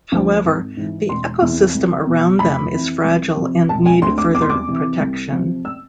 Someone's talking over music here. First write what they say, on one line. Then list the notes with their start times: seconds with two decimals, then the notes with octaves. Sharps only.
However, the ecosystem around them is fragile and need further protection.
0.12 D2 D3 F3
0.45 G#1
0.77 G#2 E3
1.09 E1 C6
1.42 E2 C3 E3
1.75 C2
2.07 B2
2.39 F1 B5
2.72 F2 E3
3.04 C2
3.37 C3 F3
3.69 E1 A5
3.86 G#5
4.02 D2 D3 C6
4.18 D6
4.34 E2 D6
4.42 C6
4.50 D6
4.67 C3 E3
5.00 C2
5.32 C3 F3
5.65 E6